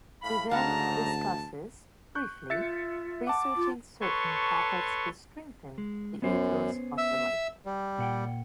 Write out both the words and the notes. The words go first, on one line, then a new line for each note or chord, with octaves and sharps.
He then discusses, briefly, researching certain topics to strengthen the ethos of the writer.
A2 F5 B5
D2 G#2 C#3 F5 F#5 A5 A#5
C#6 F#6 G6
F4 E5 A6 C#7
F#5 A5 D6
F4
A4 B4 C#5 A5 C6 C#6
G#3
F#2 B3 C#4 C5
E5 E6
G3
A#2 F#5 G5